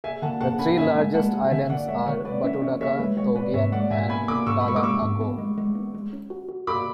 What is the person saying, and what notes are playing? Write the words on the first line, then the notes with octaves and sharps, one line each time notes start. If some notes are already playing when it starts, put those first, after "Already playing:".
The three largest islands are Batudaka, Togian, and Talatakoh.
G#4 E5 G#5
D3 F#5 A5
G#4 F#5 A5
C#4 G#5 B5
C#4 E5 G#5
G#3
G#3 F#5 A5
G#4
D3 E5 G#5
D3 D5 F#5
G#3 C#5 E5
D3 C#5
G#3 B4 D5
C#4 C#5 E5
C#4 C#5 E5
G#4 C#5 E5
G#3 B4
G#3 C#5
B3 B4 D5
G#2 C#5 E5
G#3 D5 F#5
G#2 E5 G#5
B3 G#5 B5
B3 B5 D6
G#2 C#6 E6
B5
G#3 C#6
D6
G#3 C#6 E6
G#2
B3
G#3
G#3
B3
G#3
C#4
F#4
F#4
F#4 B5 D6